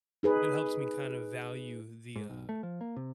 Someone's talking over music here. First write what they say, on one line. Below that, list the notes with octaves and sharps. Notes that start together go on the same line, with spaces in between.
that helps me kind of value the, uh,
D#4 G#4 B4
G#2
B1
A3
F3
A#3
C3